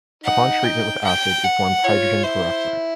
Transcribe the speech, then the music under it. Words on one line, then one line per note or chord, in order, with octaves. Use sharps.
Upon treatment with acid, it forms hydrogen peroxide.
D#4 F#5
G5
G5
F#5
F4 C#5
E4 C5